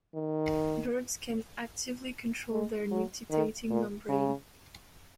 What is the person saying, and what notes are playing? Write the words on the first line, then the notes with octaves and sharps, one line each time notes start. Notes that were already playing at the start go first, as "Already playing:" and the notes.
Birds can actively control their nictitating membrane.
D#3
G#3
F#3
D#3
A#2
C#3